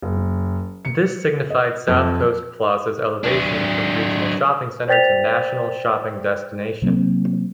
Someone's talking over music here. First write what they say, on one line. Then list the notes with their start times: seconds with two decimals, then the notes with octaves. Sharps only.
This signified South Coast Plaza's elevation from regional shopping center to national shopping destination.
0.02 F#1
0.85 C#7
1.50 D#5
1.88 F2
3.24 F#3 D4
4.88 C5 D5 G5 A6 B6 F7
6.82 C3 F#3 A#3 C4